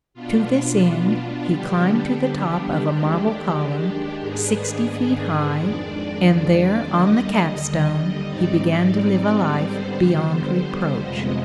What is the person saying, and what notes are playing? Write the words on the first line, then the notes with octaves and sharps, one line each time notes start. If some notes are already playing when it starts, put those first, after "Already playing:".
To this end he climbed to the top of a marble column, sixty feet high, and there on the capstone he began to live a life beyond reproach.
B2 B3 D4 F4
D3 G3 B3 D4 G4
D#2 D#3 G#3 D4 G4
G#2 D#3 B3 D4 G#4
F2 D#3 G#3 D4 D5
D#2 D3 G3 D#5
G#2 G3 C4 D#4 D5
D3 G3 B3 C5
F2 C3 F3 G#3 B3 D#5